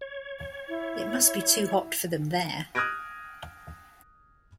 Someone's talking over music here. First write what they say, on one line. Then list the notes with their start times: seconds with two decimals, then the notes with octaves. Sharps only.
It must be too hot for them there.
0.01 C#5
0.69 E4
2.75 D#6 F6 F#6 G#6 A#6 D7